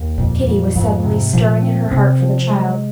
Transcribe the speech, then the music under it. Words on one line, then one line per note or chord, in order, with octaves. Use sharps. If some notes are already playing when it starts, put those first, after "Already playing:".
Pity was suddenly stirring in her heart for the child.
Already playing: D#2
F2 A#2
F2
F2 G#2
C3
A#2 F3
C4
C3 C4
F3
G#3